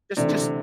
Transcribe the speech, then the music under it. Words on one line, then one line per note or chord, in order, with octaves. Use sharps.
It's just
C3 E3 A3 D4
D3
C3